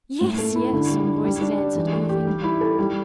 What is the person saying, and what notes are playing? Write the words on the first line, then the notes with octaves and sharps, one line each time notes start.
"Yes, yes!" some voices answered, laughing.
A2
A3
E4
D3
G3
D4
G3
D4
G4
E3
A3
G4
G3
E4
A4
G3